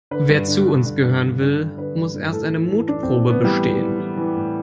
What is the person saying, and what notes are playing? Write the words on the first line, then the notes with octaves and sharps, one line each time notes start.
Wer zu uns gehören will, muss erst eine Mutprobe bestehen.
D3 B4
G2
D3
D3
G2
G2
D3
D3
D3
D3 B4
G2
G2
A2 A4
E3
E3
E3 D4
E3 C4
A2 B3
E3 G3
E3
E3
E3
E3
A2